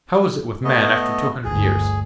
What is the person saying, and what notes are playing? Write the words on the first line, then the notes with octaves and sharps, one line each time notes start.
How is it with man after two hundred years?
A3 B3 D#5
G1 D2 G#4